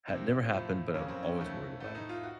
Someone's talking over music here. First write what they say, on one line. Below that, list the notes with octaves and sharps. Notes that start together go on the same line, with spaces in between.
ha never happened, but I was always worried about it.
F2 C3 D#3 C4
A2 F3 A3
F2 C#3 F#3 A#3 C#4
C4
C#4
F2 D#3 A3
A2 A3
D#4
F4
F#4